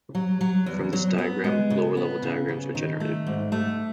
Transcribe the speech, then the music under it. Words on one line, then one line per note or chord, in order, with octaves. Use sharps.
From this diagram lower-level diagrams are generated.
F#3
F#3
E2
F#3
B3
G#3
C#3
B3
C#3
C#3
D#3
A3
G#2
A3